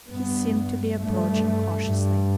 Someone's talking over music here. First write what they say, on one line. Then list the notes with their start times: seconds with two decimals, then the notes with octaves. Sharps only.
He seemed to be approaching cautiously.
0.10 G2 B3
0.98 G2 A3
1.86 G2